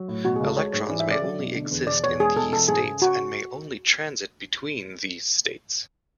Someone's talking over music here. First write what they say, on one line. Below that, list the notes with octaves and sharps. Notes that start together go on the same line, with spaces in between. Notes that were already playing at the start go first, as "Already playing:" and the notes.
Electrons may only exist in these states, and may only transit between these states.
Already playing: F#3
A2
B2 F#4
C#2 G#4
A4
G#3 C#5
G#2 C#5
E3 D5
E5
C#3 D5
F#3
B2
D3
E2
B2 D5
E2 C#5
G#3 G#4
B2 A4
E3 A4
G#2 G#4
C#3
F#4